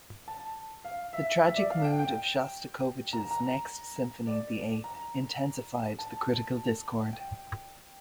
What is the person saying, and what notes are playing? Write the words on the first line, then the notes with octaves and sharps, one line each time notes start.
The tragic mood of Shostakovich's next symphony, the Eighth, intensified the critical discord.
A5
F5
E5
E5
D5
F5
G5
G5
A#5
A#5
D5
A#5
A5
G5